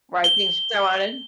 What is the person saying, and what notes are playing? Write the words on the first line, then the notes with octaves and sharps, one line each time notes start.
Right, being so on.
G7